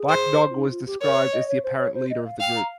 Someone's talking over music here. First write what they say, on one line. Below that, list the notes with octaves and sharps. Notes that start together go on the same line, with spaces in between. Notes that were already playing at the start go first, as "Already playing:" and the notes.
Blackdog was described as the apparent leader of the group.
Already playing: G#4
C5
F4
D#4
F4
G4
A#4 C#5
D#5
C#5
C5
C#5
C5
D#5
F5
F5 G5
A#5